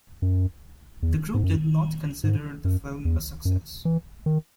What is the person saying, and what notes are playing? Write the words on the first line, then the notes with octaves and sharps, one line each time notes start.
The group did not consider the film a success.
F#2
E2
G#2
F#2
G#2
F#2
E2
F#2
E3
D#3